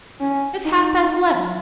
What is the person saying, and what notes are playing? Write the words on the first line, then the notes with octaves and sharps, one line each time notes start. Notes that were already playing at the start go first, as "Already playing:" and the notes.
It's half-past eleven.
C#4
D#4